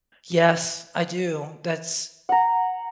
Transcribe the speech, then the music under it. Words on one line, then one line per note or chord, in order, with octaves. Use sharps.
Yes. I do. That's
F#5 A#5